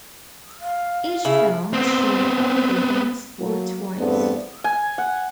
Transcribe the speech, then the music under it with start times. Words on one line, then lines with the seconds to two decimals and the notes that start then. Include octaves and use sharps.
Each film is shown either once or twice.
0.61 F5
1.25 C#3 E4 E5
1.73 B3 C4
3.39 F#3 A#3
3.97 E2 G2 A3 B3 C4 D5
4.64 G#5
4.98 F#5